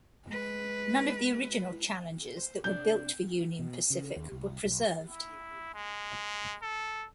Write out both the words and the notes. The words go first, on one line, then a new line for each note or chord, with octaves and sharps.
None of the original Challengers that were built for Union Pacific were preserved.
G#3 B4
C5
C3 D4 G6
B2
C#3
D#2
C2
B1
E4
G#3
A4